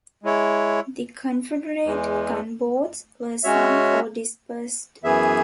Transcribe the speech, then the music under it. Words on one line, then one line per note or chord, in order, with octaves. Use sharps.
The Confederate gunboats were sunk or dispersed.
G#3 E4 C#5
E2 E3 G#3
G#3 C#4 F#4 C#5 E5
F#2 E3 B3 G#4 E5